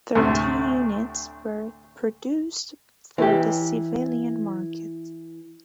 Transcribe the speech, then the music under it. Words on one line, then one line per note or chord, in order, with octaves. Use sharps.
Thirty units were produced for the civilian market.
D2 A2 C3
E3 G4